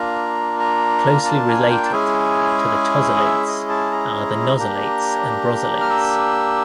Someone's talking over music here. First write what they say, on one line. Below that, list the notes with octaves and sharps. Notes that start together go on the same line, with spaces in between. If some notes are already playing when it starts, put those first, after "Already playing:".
Closely related to the tosylates are the nosylates and brosylates.
Already playing: A#3 D4 F4 A#5
A#5
A5
G#5
G5
A5
G#3 C#4 E4 G#4 G#5
D#5
E5
D#5
A5
A#5
A#3 D4 G4
F6
E6